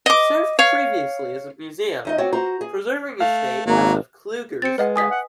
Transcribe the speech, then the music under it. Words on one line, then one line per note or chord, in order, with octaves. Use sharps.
It served previously as a museum, preserving its state as of Kluger's death.
D#5 D6
C#5 F5
E2 D#4 D#5
C4 F#4 C#5 D5
F#4 C5 A#5
G#4
A3 F5
G#1 F#3 A#3
C4 A6 C#7
G#3 B4 D#5 F#5
G#5 D#6 B6
F#5